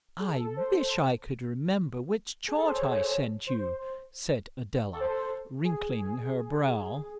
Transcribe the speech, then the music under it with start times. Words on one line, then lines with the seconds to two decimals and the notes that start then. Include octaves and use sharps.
"I wish I could remember which chart I sent you," said Adela, wrinkling her brow.
0.20 G#4
0.32 A4
0.44 A4
0.57 C5
2.48 G#4
2.56 A4
2.65 C5
2.75 C#5
3.47 C5
4.93 A4
5.00 C5
5.09 A4
5.64 G#4
6.01 G#4